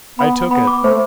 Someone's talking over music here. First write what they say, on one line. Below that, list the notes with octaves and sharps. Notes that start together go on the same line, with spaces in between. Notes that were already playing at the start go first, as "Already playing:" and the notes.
I took it.
B3 B5
B5
B3 B5
D6
A3 C5